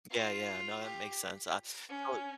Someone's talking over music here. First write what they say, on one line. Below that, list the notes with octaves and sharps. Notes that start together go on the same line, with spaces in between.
Yeah, yeah, no, that makes sense, uh, so
F4
G4
C#4